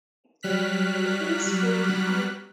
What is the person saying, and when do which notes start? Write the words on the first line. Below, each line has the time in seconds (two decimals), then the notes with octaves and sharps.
Please wait here.
0.43 F#3 G3 F6 F#6 B6